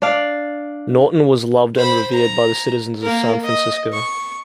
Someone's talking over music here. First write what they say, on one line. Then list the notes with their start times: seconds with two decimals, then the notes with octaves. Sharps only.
Norton was loved and revered by the citizens of San Francisco.
0.02 D4 D5 F5
1.76 C5 B5
2.13 A#5
3.02 A#3 A#4
3.44 D#5
3.93 C#6